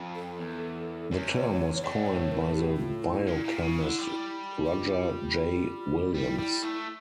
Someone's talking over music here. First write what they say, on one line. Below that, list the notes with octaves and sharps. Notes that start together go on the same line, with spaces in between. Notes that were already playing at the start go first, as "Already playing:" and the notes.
The term was coined by the biochemist Roger J. Williams.
Already playing: F2
A4
E2
E2 C#5
A2 D5
C#5
A#4
A4
G4
E4
F4
E4
A#2
A#2
C#3
D3
G3
G4
F4
G3 E4
G3
A3